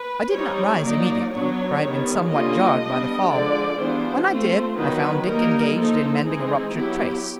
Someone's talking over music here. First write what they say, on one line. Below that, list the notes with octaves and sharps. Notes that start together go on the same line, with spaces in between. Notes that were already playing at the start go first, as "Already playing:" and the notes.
I did not rise immediately, for I had been somewhat jarred by the fall; when I did I found Dick engaged in mending a ruptured trace.
Already playing: B4
G3 C4 D#4 C#5
F#3 A#3 D#4 D5
F#3 B3 D4 C#5
D#3 G3 B3
D3 G3 A#3 C#4 F4 D#5
G3 B3 D4
D3 F3 G#3 D5
E3 G3 B3 D4 F4 C5
A3 C4 F4 C5
D#3 F#3 B3 B4
G3 A#3 D#4 A#4
F3 A#3 D#4 A4
E3 G#3 C4 D#4 G#4
F#3 B3 E4 G4